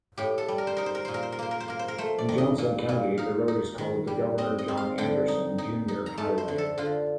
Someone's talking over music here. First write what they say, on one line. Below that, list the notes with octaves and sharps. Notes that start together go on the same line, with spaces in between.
In Johnson County, the road is called the Governor John Anderson, Junior Highway.
A2 G4
A4
G3
A#4
C5
D#4 A#4
C5
A#4
A#2 C5
A#4
C5
A#4
A#3 C5
A#4
C5
A#3 A#4
C5
A#4
A3 C5
D5
D#3
D#5
A#2
A#2
D#4 F5
D#4
D#3
G3
C4 D#5
D#5
C4
F5
D3 G5
D#4
D#4
D#4
A#5
A3 A5
C5
D3
A4
D3 F4